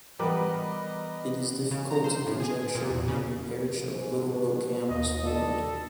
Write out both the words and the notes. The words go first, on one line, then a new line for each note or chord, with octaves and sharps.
It is difficult to conjecture when the parish of Little Bookham was formed.
E3 G3 B3 A#4 B4 D#5 D6
C#3
A#5
C5
A2
G#4
A#2
E2
C#3
G#2
B2
D#2 D#5
D4 A4